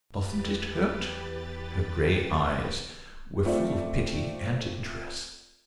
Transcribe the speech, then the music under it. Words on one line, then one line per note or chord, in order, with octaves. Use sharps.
"Dothent it hurt?"--her grey eyes were full of pity and interest.
E2 G4 B4 A6
A3 C4 F4 D5